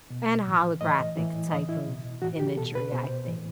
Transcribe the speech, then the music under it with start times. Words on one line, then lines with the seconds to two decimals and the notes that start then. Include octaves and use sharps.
and holographic type of imagery, I think.
0.10 B2
0.46 A2 E3
0.81 A2 E3 D#5
1.17 A2 E3
1.51 A2 D#5
1.56 E3
1.69 E4
1.87 B2
2.22 A2 E3 F#4
2.39 G4
2.56 B2 A4
2.75 B4
2.92 B2 C5
3.28 A2 E3